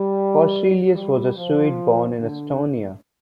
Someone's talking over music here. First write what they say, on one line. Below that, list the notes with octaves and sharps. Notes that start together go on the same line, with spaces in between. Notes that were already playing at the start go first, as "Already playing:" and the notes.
Forselius was a Swede born in Estonia.
Already playing: G3
G3
F3
D3